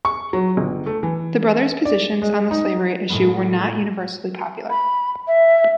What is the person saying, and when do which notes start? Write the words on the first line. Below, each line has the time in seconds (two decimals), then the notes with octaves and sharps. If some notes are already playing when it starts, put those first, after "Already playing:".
The brothers' positions on the slavery issue were not universally popular.
0.05 C#6
0.33 F#3
0.57 G1
0.86 A3
1.03 E3
1.85 D5
2.22 G#3
2.51 D#4
3.09 A2 F#3 G#3 A#3 B3
4.70 B5
5.27 E5